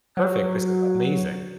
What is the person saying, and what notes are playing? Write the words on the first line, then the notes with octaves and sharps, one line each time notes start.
perfect. This is amazing.
F#3